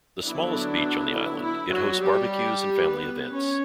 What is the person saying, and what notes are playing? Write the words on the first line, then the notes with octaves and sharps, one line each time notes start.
The smallest beach on the island, it hosts barbecues and family events.
D3 F#3 B3 D4 E4
E4
E4
F#3 F#4
G3 G4
B3 B4
C#4 C#5